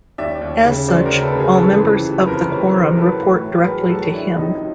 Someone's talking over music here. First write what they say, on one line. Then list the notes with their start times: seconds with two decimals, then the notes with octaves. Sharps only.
As such, all members of the Quorum report directly to him.
0.18 D#2 D5 E5
0.42 D#2
0.65 C#3
0.88 F#3 C5 D5
1.05 A#4 C5
1.12 C#3
1.22 A4 B4
1.35 C#3 G#4 A#4
1.57 E3 A4 B4
1.81 F2
2.04 C3
2.21 B4
2.27 F2 A#4 C5
2.50 C3 B4 C#5
2.73 E3 A#4 C5
2.92 A#4
2.97 F#3 A4 B4
3.20 A2
3.43 A2
3.58 B4
3.67 F#3 G#4 A#4
3.89 F#3 G4 A4
4.13 F#3 D4 E4
4.36 C3 D#4
4.59 F3